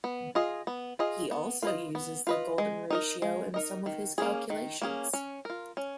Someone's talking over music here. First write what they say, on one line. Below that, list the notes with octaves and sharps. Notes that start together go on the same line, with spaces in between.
He also uses the golden ratio in some of his calculations.
B3
F4 G#4 D#5
B3
F4 G#4 D#5
B3
F4 B4 D#5
B3
F4 B4 D#5
G#3
D#4 A#4 D#5
G#3
D#4 A#4 D#5
D#3
A#3 C#4 G#4
D#3
A#3 C#4 G#4
C#4
F4 A#4
C#4